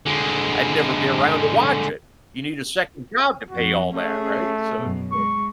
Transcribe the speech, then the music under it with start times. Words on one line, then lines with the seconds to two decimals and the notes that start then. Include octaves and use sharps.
I'd never be around to watch it. You need a second job to pay all that, right, so yeah.
0.06 D3 G#3
3.50 F2 F#4
3.95 A3 C#4 G#4
4.80 F#2 B2
5.12 G#3 C#6